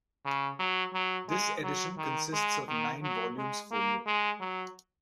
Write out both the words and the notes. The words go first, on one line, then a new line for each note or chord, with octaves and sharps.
This edition consists of nine volumes folio.
C#3
F#3
F#3
G#3
F#3
D#3
G#3
D#3
F#3
G#3
A#3
G#3
F#3